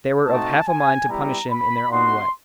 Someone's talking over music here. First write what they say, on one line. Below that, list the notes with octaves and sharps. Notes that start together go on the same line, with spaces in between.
They were of half a mind to punish him in their own way.
A3 C4 D#4 F#4 A5
G#5
G3 B3 E4 G4 A#5
B5
B3 D#4 F#4 C6